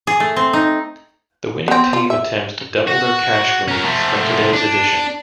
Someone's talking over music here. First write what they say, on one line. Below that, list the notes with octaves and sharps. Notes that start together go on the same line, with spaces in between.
The winning team attempts to double their cash winnings from today's edition.
G#4
A3
C4
D#4
B3 C4
F4
E5
F#4
C#4 A#4
F3 A3
D4